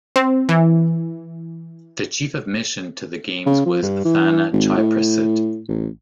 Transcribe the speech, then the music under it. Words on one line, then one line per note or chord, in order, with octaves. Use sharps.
The chief of mission to the games was Thana Chaiprasit.
C4
E3
C#3
F3
G2
E3
G#1
A2
A1